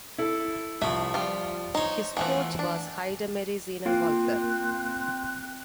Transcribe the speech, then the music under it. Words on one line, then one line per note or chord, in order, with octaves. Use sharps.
His coach was Heidemarie Seiner-Walther.
E4 A4
C2 F3 A3 E5
G3 F4 D5
D#4 C5 C#5
E3 F3 A3 B3
D4
A#3 C4 F4 F#6